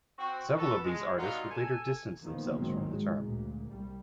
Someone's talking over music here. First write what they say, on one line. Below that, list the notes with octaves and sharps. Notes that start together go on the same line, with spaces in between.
Several of these artists would later distance themselves from the term.
C4 F#4
B3 F#4 A4
G#3
F#3 G3 B3 D4 D#4 F4
A4 G#5
A#2 D#3 F3 A#3 B3
A1 G#2 D#3 F#3 G#3 C4
G#3
D2 A#2
C2 G3